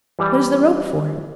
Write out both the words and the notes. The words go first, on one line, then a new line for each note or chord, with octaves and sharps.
"What is the rope for?"
E3 G3 D5